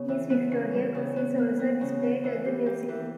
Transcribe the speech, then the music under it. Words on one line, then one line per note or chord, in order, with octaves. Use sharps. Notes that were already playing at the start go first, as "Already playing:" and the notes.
His Victoria Cross is also displayed at the museum.
Already playing: C#3 B3
E3
B3
C#3
G3
C#3
B3
B3
B3
C#3
B3
E3
G4
G4
E3